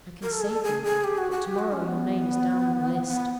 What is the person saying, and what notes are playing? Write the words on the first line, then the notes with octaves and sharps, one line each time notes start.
I can save you: but to-morrow your name is down on the list.
A#4
A4
G#4
A4
G#4
G#4
G4
F#4
F#4
G4
F#4
C#4
B3
B3